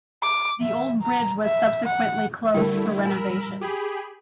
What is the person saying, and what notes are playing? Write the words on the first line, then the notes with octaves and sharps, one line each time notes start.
The old bridge was subsequently closed for renovation.
D6
E5
A#5
E5
F#5
D3 G3 A3 E4 A#4 G5
A#4 G#5 B5 E6
G4 G#4 B5